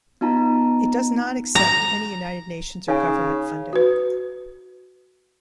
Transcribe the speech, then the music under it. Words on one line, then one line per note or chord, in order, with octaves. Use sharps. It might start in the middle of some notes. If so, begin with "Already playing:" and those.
It does not accept any United Nations or government funding.
B3 D#4 F4 A5 A#5
A#5
C#3 D#4 G#5
F#4 B4